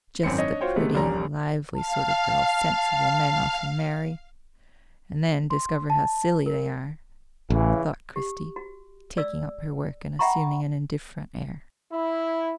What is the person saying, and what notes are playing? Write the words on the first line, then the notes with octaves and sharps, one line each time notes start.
"Just the pretty, lively sort of girl sensible men often marry, and then discover how silly they are," thought Christie, taking up her work and assuming an indifferent air.
G#1 F#2 C4 C5 C#7
D4 C#5 D#5
F4 F#4 C5 C#5 G5
C3 G#3 A3 B3
D#1 A#1 G3 C#4 A#5
F5 A5
C6
A5
A#4
A1 C#3 E3
G4
F#4
D5 E6
E5 F#5 G5 A#5 B5 C#6
E4